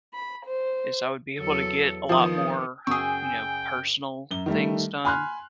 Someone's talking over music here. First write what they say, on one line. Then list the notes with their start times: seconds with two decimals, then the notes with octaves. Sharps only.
is I would be able to get a lot more, you know, personal things done
0.14 B5
0.45 C5
1.39 E2 F#3 A4
2.09 D#3 F3 B3 D#6
2.87 F#2 C#3 F#4 G#4 G5 C#6 D#6 E6
4.31 F#2 G7
4.46 D#3 G3 A3
5.05 G#5 B5 C6 F6 F#6